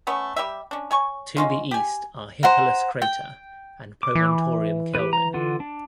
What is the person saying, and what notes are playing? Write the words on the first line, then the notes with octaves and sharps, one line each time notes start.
To the east are Hippalus crater and Promontorium Kelvin.
A3 B3 C#4
G3 G4 E5
C#4 D4
C#5 G#5 C#6
G#3 C#4 F4
G4 G#5
C5 F#5 A#5
G5
D6
E3
G4 B4
A#5
D3 F4 F#5
D4